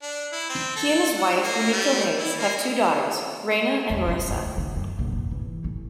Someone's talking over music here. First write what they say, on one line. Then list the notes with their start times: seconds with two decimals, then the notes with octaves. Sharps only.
He and his wife, Rumiko Hayes, have two daughters, Reina and Marissa.
0.02 D4
0.32 E4
0.49 C4
0.76 A4
1.16 F#5
1.43 A#3
1.72 G3
2.18 E4
2.38 A#3
3.90 E2
4.08 G2
4.30 D2
4.58 D3
4.76 F#2
4.99 A#1
5.12 F2
5.31 E3
5.64 A1